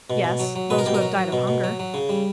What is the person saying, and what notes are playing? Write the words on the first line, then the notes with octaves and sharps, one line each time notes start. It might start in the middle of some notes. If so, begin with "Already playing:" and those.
"Yes; those who have died of hunger."
B2
B2
F#3
F#3
B2 B4
A#4
B2 G4
A#4
F#3
F#3
B2
B2
F#3
F#3
C#3
G3